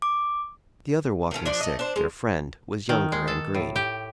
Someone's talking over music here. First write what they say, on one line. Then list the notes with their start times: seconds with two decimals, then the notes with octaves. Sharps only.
The other Walking-Stick, their friend, was younger and green.
0.02 D6
1.31 D#3 A3 B3 C#4
1.46 F3 D4
1.60 A3 D#5
1.79 D4 C5
1.96 G#3
2.89 D#3
3.12 G#3
3.28 A4
3.54 A2
3.76 G4